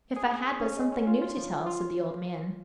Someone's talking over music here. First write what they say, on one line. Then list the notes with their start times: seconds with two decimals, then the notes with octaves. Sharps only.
"If I had but something new to tell," said the old man.
0.16 G#4
0.31 G#4
0.46 G#4
0.61 C#4
0.77 G#3
0.92 C#4
1.07 F4
1.22 F4
1.37 F3
1.51 F3
1.66 F4